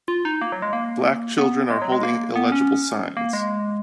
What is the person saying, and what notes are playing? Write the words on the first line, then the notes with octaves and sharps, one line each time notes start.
Black children are holding illegible signs.
F4
D#4
A#3
F#3
G#3
A#3
B3
G#3
F#3
G#3
A#3
B3
C#4
A#3
G#3